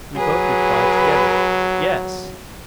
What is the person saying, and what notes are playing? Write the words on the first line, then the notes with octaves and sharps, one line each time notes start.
We both replied together, 'Yes!'
F#3 G#4 B4